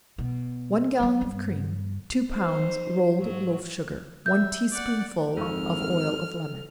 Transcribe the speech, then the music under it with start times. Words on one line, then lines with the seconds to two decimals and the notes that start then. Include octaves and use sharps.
One gallon of cream, two pounds rolled loaf-sugar, one tea-spoonful of oil of lemon.
0.18 B2
1.00 F#3 D4
1.21 G2 D4
2.32 D#4 C5
3.19 G#2 F#3 F#4
4.26 E5 G6
4.72 D5 F#5
5.37 G#1 F2 F4 A4 C#6 F6